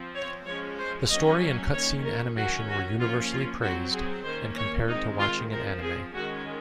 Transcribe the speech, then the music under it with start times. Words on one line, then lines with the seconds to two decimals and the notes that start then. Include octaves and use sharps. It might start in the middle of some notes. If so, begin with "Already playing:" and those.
The story and cutscene animation were universally praised, and compared to watching an anime.
Already playing: F3 C4
0.16 C#5
0.47 F3 G#3 C#4 C#5
0.79 C5
1.10 F#3 A#3 C#4 D#5
1.73 D#3 A#3 C#4 C#5
2.04 A#4
2.36 D#3 F#3 C#4 F#4
2.68 F#4
2.99 F3 A#3 C#4 F4
3.31 F4
3.62 F#3 C4 F#4
3.94 G#4
4.25 D#3 A#3 C#4 C5
4.57 C#5
4.88 D#3 G#3 C4 D#4
5.20 F4
5.51 F3 C4 A#4
5.83 G#4
6.14 D#3 G#3 C#4 F#4